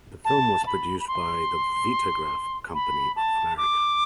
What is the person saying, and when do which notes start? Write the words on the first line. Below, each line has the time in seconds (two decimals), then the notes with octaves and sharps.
The film was produced by the Vitagraph Company of America.
0.25 A5
0.67 B5
1.00 B5
1.08 C6
2.75 B5
3.16 A5
3.57 D6